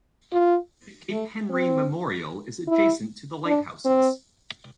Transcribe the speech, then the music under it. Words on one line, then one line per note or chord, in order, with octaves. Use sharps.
The Cape Henry Memorial is adjacent to the lighthouses.
F4
A3
C4
E4
D4
C4